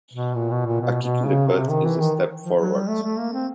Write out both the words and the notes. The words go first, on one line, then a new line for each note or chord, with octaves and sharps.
A kick in the butt is a step forward.
B2
A#2
B2
A#2
B2
B2
C#3
C3
D#3
E3
D#3
F3
F#3
G3
A3
A3
A#3
C4